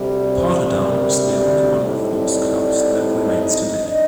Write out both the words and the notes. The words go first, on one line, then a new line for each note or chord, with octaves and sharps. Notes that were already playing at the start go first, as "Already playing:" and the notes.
Portadown is the only one of those clubs that remains today.
Already playing: D2 C3 G3
C5
A#4
D5
A2 G3 C4 D#4
D5
D#5
D4 D#5